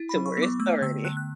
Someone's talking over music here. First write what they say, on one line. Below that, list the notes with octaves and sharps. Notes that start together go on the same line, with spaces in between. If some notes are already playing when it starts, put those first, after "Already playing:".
to where it started.
Already playing: E4
B5
F#3
C#6
B3
D6
A3 E6
D3 E6
D3 F#6
F#6